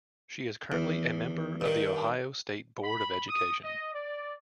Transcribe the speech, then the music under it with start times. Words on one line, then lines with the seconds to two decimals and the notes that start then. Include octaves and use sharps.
She is currently a member of the Ohio State Board of Education.
0.72 E2
1.61 G2 D#3
2.84 B5
3.28 D#6
3.63 D#5
3.94 D5